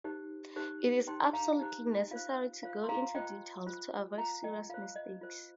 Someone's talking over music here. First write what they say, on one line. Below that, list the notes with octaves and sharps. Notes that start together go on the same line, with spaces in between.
It is absolutely necessary to go into details to avoid serious mistakes.
D#4 G4 C5
D#4 G4 C5
D#4 G4 C5 G5 C6
F5 A#5
D#4 G4 C5
F4 C5 F5
F4 C5 F5
C6
F5 A#5
F4 C5 D#5 G5
F4 C5
F4 C5 F5 A#5
D#5 G5
F4 C5 F5
D#5
F4 C5